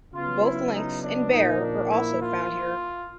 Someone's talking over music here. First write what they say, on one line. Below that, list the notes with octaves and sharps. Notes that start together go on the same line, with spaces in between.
Both lynx and bear are also found here.
C#3 F#3 B3 F4
E4
D#4
D4
A#2 F3 A#3 D#4
D4
E4
F4